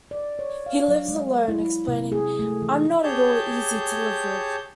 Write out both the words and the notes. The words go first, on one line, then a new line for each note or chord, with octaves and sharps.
He lives alone, explaining: I'm not at all easy to live with.
D5
C#5
F5
F#3
G#3
E4
F#3
C3
G#4
A3
E3
G4 G#4 C#5 A5 G6